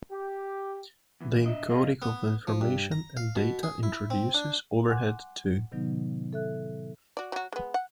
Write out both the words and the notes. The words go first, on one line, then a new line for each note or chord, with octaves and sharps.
The encoding of information and data introduces overhead too.
G4
E2 E3
D4 D#5 E5
G#4 D5 D#5 F5
B3
F3
G2
A#5
F5
B2
G#4
E4
C4
D4
F#5 G#5 C6 D6 F#6
A2 C3 D#3 F#3 B3 D#4
A4 E5 F#6
F#4 D5
F#3 F#4
G#3 B3
F#5